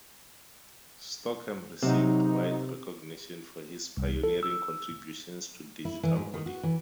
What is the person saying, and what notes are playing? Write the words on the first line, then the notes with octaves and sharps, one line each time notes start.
Stockham received wide recognition for his pioneering contributions to digital audio.
C3 F#3 D#4
C2
A4
E6
E4
E3
G#2
D#3
F#4
E3